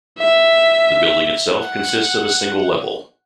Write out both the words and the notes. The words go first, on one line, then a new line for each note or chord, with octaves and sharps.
The building itself consists of a single level.
E5
F#5